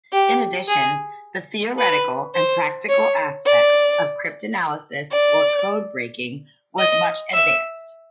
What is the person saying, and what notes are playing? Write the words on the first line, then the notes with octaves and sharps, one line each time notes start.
In addition, the theoretical and practical aspects of "cryptanalysis", or "codebreaking", was much advanced.
G4
G#4
B4
C5
C#5
D5
D5
D#5
E5